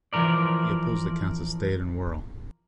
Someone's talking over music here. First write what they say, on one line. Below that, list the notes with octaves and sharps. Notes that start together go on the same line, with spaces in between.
He opposed the counts of Stade and Werl.
E3 F3 A#4 D5